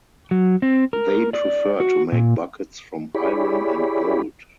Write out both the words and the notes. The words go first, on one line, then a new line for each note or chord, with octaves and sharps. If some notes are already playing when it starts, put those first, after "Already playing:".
They preferred to make buckets from iron and gold.
F#3
C4
A#4
D5
F#4
A#2
E4 G4 G#4 C#5 D5 B5